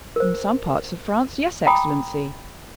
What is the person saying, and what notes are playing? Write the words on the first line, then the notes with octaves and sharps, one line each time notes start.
"In some parts of France--yes, excellency."
A#4 C5
G5 G#5 A#5 B5 D6 D#6